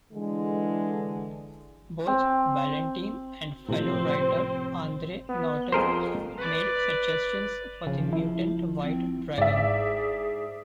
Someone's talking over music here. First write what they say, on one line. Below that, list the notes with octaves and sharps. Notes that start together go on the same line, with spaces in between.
Both Ballantine and fellow writer Andre Norton made suggestions for the mutant white dragon.
D3 E3 G#3
C4
A2 C3 F3 C4 C5
B3
F2 G#4 A#4 C5
B4 D5
C#3 F3
E4
C4
G#2 G#4 D5 E5